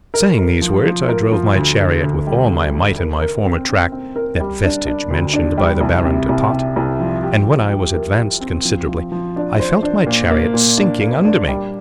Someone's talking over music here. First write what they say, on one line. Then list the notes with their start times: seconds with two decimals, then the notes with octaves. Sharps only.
Saying these words, I drove my chariot with all my might in my former track, that vestige mentioned by the Baron de Tott, and when I was advanced considerably, I felt my chariot sinking under me.
0.14 A#4
0.38 A#4
0.61 F3
0.86 F3
1.09 A#4
1.32 F3
1.56 D2
1.80 D3
2.03 D2
2.27 G3
2.50 D3
2.74 D3
2.98 A#4
3.21 A#4
3.46 C4
3.69 C4
3.92 C4
4.16 A#4
4.40 G3
4.64 D4
4.87 D4
5.10 D2
5.34 D4
5.58 G3
5.81 C2
6.05 C3
6.29 C2
6.52 C3
6.76 C2
7.00 F3
7.23 G4
7.47 G4
7.70 G4
7.94 A#4
8.18 G4
8.41 C4
8.65 F3
8.88 F3
9.12 F3
9.36 D4
9.60 C5
9.83 D4
10.06 A#2
10.30 A#3
10.54 A#2
10.78 D4
11.01 A#3
11.25 D4
11.48 G3